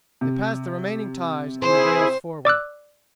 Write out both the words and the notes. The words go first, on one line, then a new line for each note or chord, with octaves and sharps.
They passed the remaining ties and the rails forward.
C3
C4 E4 G#4 C5
D5 D6 E6 F#6